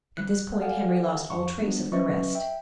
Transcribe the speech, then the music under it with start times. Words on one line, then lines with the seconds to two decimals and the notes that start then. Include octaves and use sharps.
At this point Henry lost all trace of the rest.
0.17 G3 F#6
0.60 G4 A4 D5 F5 F#5 G#5
1.30 F2 C#6
1.60 G3 B3 D4
1.92 F#3 C#4 B4 D#5 E5 C#6
2.35 E5 G5